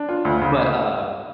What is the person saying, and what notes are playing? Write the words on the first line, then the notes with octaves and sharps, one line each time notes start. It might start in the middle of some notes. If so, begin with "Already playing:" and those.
But, uh,
Already playing: D4
F4
D2
C#3